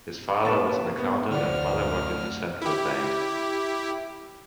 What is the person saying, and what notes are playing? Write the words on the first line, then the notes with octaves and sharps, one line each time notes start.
His father was an accountant and mother worked in the Central Bank.
C3 A#3 B4 A5 C#6
B3
D2 A3 F4 C5 D5 F#5 F6
E4 G4